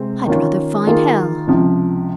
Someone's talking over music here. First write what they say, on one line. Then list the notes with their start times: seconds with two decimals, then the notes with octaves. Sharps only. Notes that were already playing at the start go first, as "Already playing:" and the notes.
I'd rather find hell!
Already playing: C3 G#3 C4
0.26 D#3 A#3 C#4 F4
0.87 D#3 A#3 F4 G#4
1.47 C#2 C3 F3